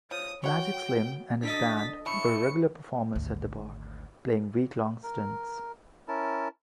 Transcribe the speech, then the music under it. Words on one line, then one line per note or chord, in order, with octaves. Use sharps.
Magic Slim and his band were regular performers at the bar, playing week-long stints.
F3 C#5 D#6
F#4 C#5 F#5 G5
D4 A4 D#5 A6 B6
A2 A3 B5 C#6 C#7
G#1 D2
A#4
C#4 E4 A#4 A5